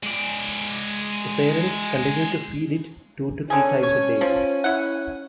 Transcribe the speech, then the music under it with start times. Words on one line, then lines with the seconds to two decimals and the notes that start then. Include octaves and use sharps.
The parents continue to feed it two to three times a day.
0.03 G#3 D5
3.50 D3 C#4 G#4
3.83 C#5
4.21 F3
4.64 E4 F#5